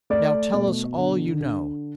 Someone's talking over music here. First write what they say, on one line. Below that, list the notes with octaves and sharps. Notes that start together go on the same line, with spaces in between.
Now tell us all you know.
A3 D5
B2
D3
D3